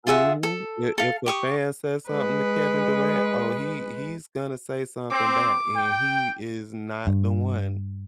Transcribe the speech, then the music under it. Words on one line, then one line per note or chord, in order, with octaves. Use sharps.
Mhm. I if a fan says something to Kevin Durant, oh, he he's gonna say something back, and he is not the one,
F4 G#4 E5 F#5
A4
A4 F5
G4 C#6 D#6
G#3 B4
C4 D6
G5
G2